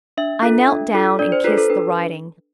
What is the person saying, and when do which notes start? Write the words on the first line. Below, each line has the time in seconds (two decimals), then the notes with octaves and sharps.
I knelt down and kissed the writing.
0.17 D4 E5
0.43 F4 A4
0.68 D4
0.94 F4 A4
1.19 D4 D5
1.32 C5
1.44 F4 A4 B4
1.57 A4
1.70 D4 B4